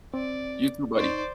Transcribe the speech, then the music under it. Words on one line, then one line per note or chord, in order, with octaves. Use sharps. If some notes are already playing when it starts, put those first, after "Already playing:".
You too, buddy.
C4 D5
D#4 C5 D5 C#6